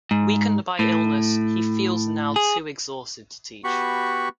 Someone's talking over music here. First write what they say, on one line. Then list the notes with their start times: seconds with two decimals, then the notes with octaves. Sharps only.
Weakened by illness, he feels now too exhausted to teach.
0.11 G#2
0.79 A2
2.36 G#4
3.64 B3 F#4 G4 B5 C#6